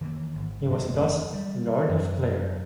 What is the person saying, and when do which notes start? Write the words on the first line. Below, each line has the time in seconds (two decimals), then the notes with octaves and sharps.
He was thus Lord of Clare.
0.01 D#3 E3 A3 A#3
0.35 G#1
0.70 F#1 E2
1.33 G3
1.89 F#2